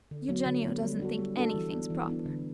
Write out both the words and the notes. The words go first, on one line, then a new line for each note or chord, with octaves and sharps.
"Eugenio doesn't think anything's proper."
D3
F#3 B3
D3
F#3 B3
G3
D4 F#4 A4
G3
D4 F#4 A4
E3
B3 D4
E3
B3 D4
D3